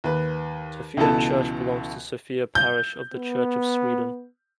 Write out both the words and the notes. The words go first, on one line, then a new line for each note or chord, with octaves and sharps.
Sofia church belongs to Sofia parish of the Church of Sweden.
D#2 B4
C#2 B2 E3 B3 A4 A5
G6
B3